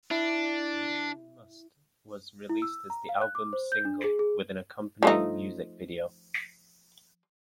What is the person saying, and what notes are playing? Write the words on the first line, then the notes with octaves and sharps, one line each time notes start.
"Lozin' Must" was released as the album's single, with an accompanying music video.
D4 E4
E4
E6
A#5
F5
F#6
D6
C5
G6
D4
G#4
G#4
F3 A3 D#4